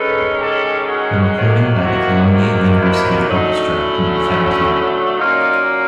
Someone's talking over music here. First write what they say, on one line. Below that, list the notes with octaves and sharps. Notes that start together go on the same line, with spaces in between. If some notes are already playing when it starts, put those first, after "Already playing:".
A recording by the Columbia University Orchestra can be found here.
Already playing: D#3 G#3 C#4 A4 B4
G4 A4
F#4 G#4
C3 D#3 F#3 A#3
E4 F#4
E4
D3 F#3 A3 C#4 D#4
E4
A#2 F#3 A#3 C#4 D#4 F4